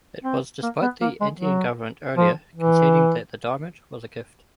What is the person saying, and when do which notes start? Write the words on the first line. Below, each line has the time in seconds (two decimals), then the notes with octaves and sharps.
It was despite the Indian Government earlier conceding that the diamond was a gift.
0.24 C4
0.63 A#3
0.82 B3
1.01 A#3
1.21 G#3
1.40 F#3
2.17 F3
2.55 E3